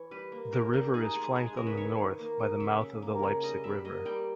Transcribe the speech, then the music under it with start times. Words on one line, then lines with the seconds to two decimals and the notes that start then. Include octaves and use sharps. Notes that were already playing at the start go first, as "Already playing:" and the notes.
The river is flanked on the north by the mouth of the Leipsic River.
Already playing: E3 C#5
0.11 G3 B4
0.32 A#3
0.53 A#3 A#4
0.73 G3 G4
0.94 D#4 G#4
1.15 G#3 G#4
1.36 G#3 G#4
1.46 G#4
1.57 C#3 A#4
1.67 B4
1.77 D#3 C#5
1.98 D#3
2.19 A#3
2.39 D#4
2.60 C#3 E5
2.81 C#3
3.02 A#3
3.23 C#3
3.43 G3 D#5
3.64 G3 E5
3.85 A#3 D#5
4.05 G3 G5